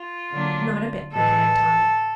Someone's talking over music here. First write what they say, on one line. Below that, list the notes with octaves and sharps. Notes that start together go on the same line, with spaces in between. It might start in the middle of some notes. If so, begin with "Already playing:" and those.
"Not a bit," replied Tommy.
Already playing: F4
D3 F#3 A#3 D4
A2 E3 G#3 A4